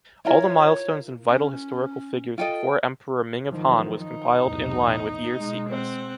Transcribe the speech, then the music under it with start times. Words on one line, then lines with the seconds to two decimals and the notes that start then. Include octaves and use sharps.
All the milestones and vital historical figures before Emperor Ming of Han was compiled in line with year sequence.
0.25 E4 F4 A#4 C#5
1.28 C#4
2.38 F4 A4 D#5 G5
3.49 F#2 D#3 F3
4.00 D#4
4.43 B1 E2 A2
5.35 B2 G#3
5.68 C4 F#5